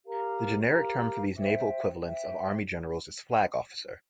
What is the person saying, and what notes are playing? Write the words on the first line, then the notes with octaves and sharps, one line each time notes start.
The generic term for these naval equivalents of army generals is flag officer.
G4 A#4 F5 A#5
G4 A#4 F5 A#5
C5 E5 G5
C5 E5 G5